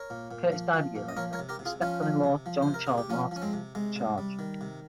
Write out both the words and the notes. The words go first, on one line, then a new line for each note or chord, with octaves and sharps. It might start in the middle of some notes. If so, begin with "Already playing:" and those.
Curtis died a year later and his stepson-in-law, John Charles Martin, took charge.
Already playing: A#4 C#5
A#2
A#2
F3
F3
A#2
D#5
F3 A#4 C#5
A#4 C#5
C3
G4 A#4
C3
F4 G#4
F3 C#4 F4
F3
C3
F3
C5
C3
A#4
C3 G#4
G4
F3 C#4 F4
F3 C#4
G#3 C4
C3
C3 G#3
C3
G3
D#3
C3